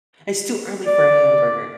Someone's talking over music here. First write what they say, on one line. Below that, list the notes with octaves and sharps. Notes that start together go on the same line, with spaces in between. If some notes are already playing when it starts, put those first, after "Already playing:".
It's too early for a hamburger.
D5